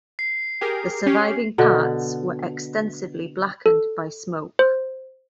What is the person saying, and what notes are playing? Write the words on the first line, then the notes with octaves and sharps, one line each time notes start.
The surviving parts were extensively blackened by smoke.
C7
G4 G#4 A#4
C#4 G4
B2 D3
A4
C5